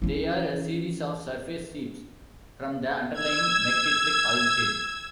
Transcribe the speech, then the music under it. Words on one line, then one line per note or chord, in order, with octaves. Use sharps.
They are a series of surface seeps from the underlying McKittrick Oil Field.
E3 C#4
E6 G#6